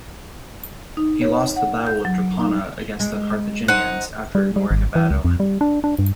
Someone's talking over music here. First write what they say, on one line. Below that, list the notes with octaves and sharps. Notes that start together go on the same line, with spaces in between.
He lost the Battle of Drepana against the Carthaginians after ignoring a bad omen.
D#4
C#5
F#5
G6
F#3
D#4
G#3
D#4 C5 F#5
G3
G3
G#1
E3
C#2
F2
G3
D4
D4
G2